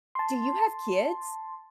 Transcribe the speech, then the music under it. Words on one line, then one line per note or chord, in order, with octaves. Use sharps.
"Do you have kids?
A5 C6